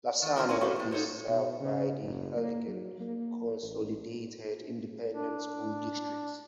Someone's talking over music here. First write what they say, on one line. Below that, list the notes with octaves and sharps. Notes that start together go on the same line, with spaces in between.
Lasana is served by the Harlingen Consolidated Independent School District.
D#3 A3
E2 D3 C4 F#4 A#4 G5
C4 C#4 E4 A#4 C#5
F#4 G4 A4 B4 F5
A2 C5
D#4 A4 C5 C#5
B2
C#3
F#1
A#3
F#3
A#3
A1
D4